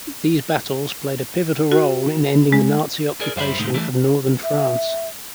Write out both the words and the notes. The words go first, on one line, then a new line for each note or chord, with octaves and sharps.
These battles played a pivotal role in ending the Nazi occupation of Northern France.
F#4
G#3
G#4 A#4 D5
F#2 G3 C5 E5 B5
D#2 A2 C3 G#3 A3 D#4
E3 G3 A3
E5